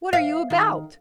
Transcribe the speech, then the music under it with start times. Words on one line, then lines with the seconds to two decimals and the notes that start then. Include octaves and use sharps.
What are you about?'
0.13 F5
0.50 D#3